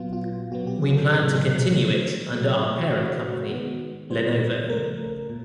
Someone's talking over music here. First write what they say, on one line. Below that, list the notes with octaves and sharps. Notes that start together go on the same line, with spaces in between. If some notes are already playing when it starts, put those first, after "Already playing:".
We plan to continue it under our parent company, Lenovo.
Already playing: A#2 F#3 B3 F4
F4
B2 F#3 B3 F#4
G4
G#4
A4
A2 F#3 B3 G#4
D#3 F#3 A3
B2 F#3 A3
C3 E3 G3 A#3 F#4
D#3 G#3 B3
D#3 G3 B3 C5
C#3 F3 A3 A#4
A#2